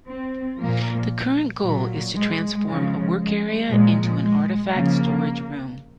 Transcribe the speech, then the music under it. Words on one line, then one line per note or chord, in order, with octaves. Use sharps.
A current goal is to transform a work area into an artifact storage room.
C4
A#2 F3 A#3
A#2 F#3
G#3
C#3 F3 G#3
G#3
A#2 F3 G#3
G#3
C#3 F3 A#3